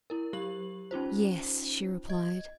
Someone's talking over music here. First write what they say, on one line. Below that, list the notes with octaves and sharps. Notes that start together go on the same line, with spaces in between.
"Yes!" she replied.
E4 A#4
F#3 G4 F#7
C#4 D#4 F4 C5
D#5 G#6